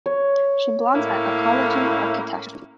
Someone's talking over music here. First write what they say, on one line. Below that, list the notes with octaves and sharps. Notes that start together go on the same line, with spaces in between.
She blogs at Ecology or Catastrophe.
C#5
A2 A#3 C#4 E4